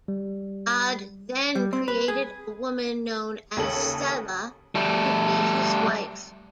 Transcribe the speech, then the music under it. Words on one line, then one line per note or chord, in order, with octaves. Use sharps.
God then created a woman known as Sela to be his wife.
G3
G3
C4
B4
G#4
D#2 C#3 A4 F#7
G3 A3